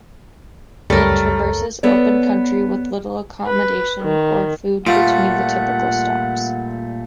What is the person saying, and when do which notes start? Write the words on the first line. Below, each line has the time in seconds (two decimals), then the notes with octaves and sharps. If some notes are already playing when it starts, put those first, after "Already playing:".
It traverses open country with little accommodation or food between the typical stops.
0.90 C#2 F#2 G3 A3 A#4 C#5
1.83 B3 A4 C#5 D5
3.46 B4
4.02 D#3
4.87 A#2 G3 A3 F4 F#5